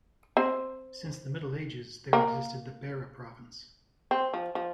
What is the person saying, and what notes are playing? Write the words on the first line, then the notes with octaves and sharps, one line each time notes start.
Since the Middle Ages there existed the Beira Province.
C4 C5
A#3 A#4
C4
F3
F3